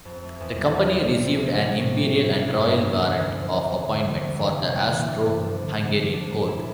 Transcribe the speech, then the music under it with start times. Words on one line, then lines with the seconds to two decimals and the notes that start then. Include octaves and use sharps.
The company received an imperial and royal warrant of appointment for the Austro-Hungarian court.
0.05 F2
0.23 A3
0.40 E2
0.58 G3
0.75 D2
0.92 F3
1.09 C3
1.27 A3
1.45 C3
1.62 G3
1.80 A2
1.96 G3
2.14 A2
2.32 D4
2.49 G2
2.66 A#3
2.83 D2
3.01 E3
3.18 D2
3.36 F3
3.53 F2
3.70 G3
3.88 D3
4.05 A#3
4.22 F2
4.39 E3
4.56 C3
4.75 A3
4.92 E3
5.08 D4
5.26 G2
5.44 F3
5.61 D3
5.78 C4
5.96 F3
6.13 D4
6.31 A#2
6.48 E4